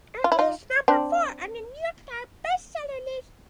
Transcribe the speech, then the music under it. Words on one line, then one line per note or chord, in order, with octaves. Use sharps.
It reached number four on the "New York Times" Best Seller list.
F4
E4
D#4 F4
C4 D4